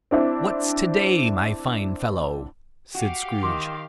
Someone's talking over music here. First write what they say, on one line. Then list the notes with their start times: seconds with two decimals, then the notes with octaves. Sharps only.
"What's to-day, my fine fellow?" said Scrooge.
0.11 C4 D4 E4
2.95 F#4 G4 F5
3.43 D#3 C6 D6